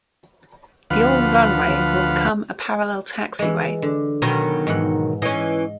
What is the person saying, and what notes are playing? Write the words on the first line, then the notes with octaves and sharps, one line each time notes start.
The old runway will become a parallel taxiway.
D2 F3 B4 F5 F#5
E3 G#3
D3
B2 D#3 F#3 A#4 G#5
G#2 E3 F#5
E3 C#4 D#5